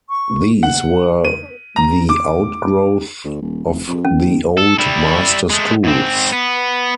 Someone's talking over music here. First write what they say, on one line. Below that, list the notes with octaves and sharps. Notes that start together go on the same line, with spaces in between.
These were the outgrowth of the old master schools.
C#6
F#5
D#7
A#5
D6
D2
D#1
F1
F2
C#4
D#2
A4
G3 E4
G#3 A3
G#2 C4
B3